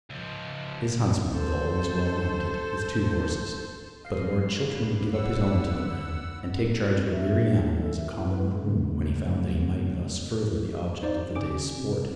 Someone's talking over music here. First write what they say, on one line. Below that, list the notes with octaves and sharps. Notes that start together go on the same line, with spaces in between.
His huntsman was always well mounted, with two horses; but Lord Chiltern would give up his own to the man and take charge of a weary animal as a common groom when he found that he might thus further the object of the day's sport.
C#2 F3
A4 C5
F3 D#5 F5 C7
F#4 C#5
D2 D3 B4 D5
F#5 E6
F2
F#4
C4
E5
D4
F#3
A4
E5
E4
B4
G#3
A2 C#3 G#3 A3
D#4 C5 D5
C#3 C#4 D6 D7
C3